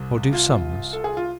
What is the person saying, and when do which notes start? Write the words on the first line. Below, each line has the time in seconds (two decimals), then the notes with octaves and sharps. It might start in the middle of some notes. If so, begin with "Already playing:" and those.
"Nor do sums?"
Already playing: C2 C3
0.33 F4
0.93 A4
1.04 G#4
1.17 F4